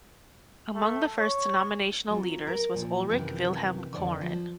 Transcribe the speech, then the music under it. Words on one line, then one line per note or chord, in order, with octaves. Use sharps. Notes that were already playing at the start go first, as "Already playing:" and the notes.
Among the first denominational leaders was Ulrik Vilhelm Koren.
A3
C#5
F#3 C4 F4
A#4
A#2 F3
F#2 C3 D#3 E3
F2 D3 E3
F3